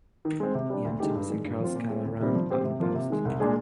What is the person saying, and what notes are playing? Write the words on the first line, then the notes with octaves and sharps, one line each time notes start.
Ian Thomas and Karl Skala ran unopposed.
D#3
G#3 C4
C3
G3 D4
D2
D3 G#3 D#4 G4
G2
D#3 G#3
G2
F3 C4 F4
A#2
G#3 C4
D2
C3 D#3 G3 C4
F3
C4 G4 C5
C3
F3 A#3 F4
C3
D#3 G#3
C2
A#2 G#3 D4 G#4